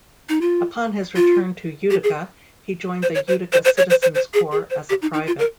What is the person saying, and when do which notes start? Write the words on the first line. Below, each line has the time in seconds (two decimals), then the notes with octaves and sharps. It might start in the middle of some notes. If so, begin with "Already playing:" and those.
Upon his return to Utica, he joined the Utica Citizen's Corps as a private.
0.29 D#4
0.41 F4
1.16 F4
1.90 G4
2.03 G#4
3.03 C5
3.15 C#5
3.28 C5
3.52 C5
3.65 C5
3.78 C#5
3.90 C5
4.02 C5
4.15 C5
4.34 G#4
4.52 G#4
4.70 C5
4.89 G4
5.02 D#4
5.14 D#4
5.27 F4
5.39 A#4